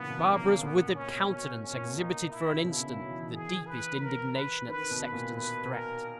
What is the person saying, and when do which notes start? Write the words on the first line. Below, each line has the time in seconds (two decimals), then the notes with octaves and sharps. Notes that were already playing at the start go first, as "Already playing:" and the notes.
Barbara's withered countenance exhibited for an instant the deepest indignation at the sexton's threat.
Already playing: A#2 C#3 E3 F#3 B3
0.10 B2
0.27 C#3 A#3
0.36 B2
0.44 C#3
0.61 A#2 B3
0.84 A#2
0.95 C#4
1.07 B2
1.29 F#3 C#4
1.63 C#4
1.73 A#2
1.86 B2
1.96 A#2 D#4
2.31 E4
2.55 C#3
2.64 B2 E4
2.77 C#3
2.87 D#3
2.99 F#3
3.09 E3
3.32 G#4
3.67 B4
4.01 A#4
4.34 B4
4.68 D#3 B4
4.90 B2
5.02 B4
5.12 A#2
5.35 B4
5.70 A#4